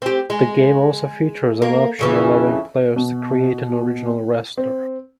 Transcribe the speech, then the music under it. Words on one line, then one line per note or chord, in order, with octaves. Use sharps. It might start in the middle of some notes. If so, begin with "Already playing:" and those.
The game also features an option allowing players to create an original wrestler.
C4 G4
G#3
A#3
F2 C#3 E3
B2
C4